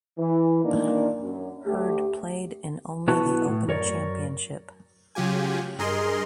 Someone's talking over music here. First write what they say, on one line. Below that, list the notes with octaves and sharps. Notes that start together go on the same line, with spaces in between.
Herd played in only The Open Championship.
E3
A#2 D#3 A#3 D4
F#2
D2 A3 G4
B1 B3 E4 F#4 B4 A5
A2
F#2 A#4 C#5 D5
C#3 F#3 F4 G4 G#5
G2 G#4 A#4 D#5 C6